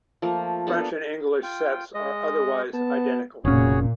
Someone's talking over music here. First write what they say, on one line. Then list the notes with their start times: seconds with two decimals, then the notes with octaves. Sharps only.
The French and English sets are otherwise identical.
0.22 F3 A3 A#3 A#4
0.67 A#3 B3 D4 A4
1.43 F4 G5
1.94 G#3 D#5
2.74 B3 A5
3.45 F1 A#2 C#3 C#4 F#4 G#4 C#5